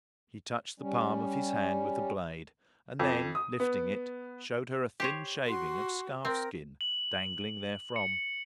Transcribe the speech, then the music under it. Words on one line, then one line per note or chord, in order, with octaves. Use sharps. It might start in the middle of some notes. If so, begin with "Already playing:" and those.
He touched the palm of his hand with the blade, and then, lifting it, showed her a thin shaving of scarf-skin dangling therefrom.
G3 C#4
F2
D#6
B3
G4 C5 C#5
F#4 C6
C4 A#4 G5
F#7
C#7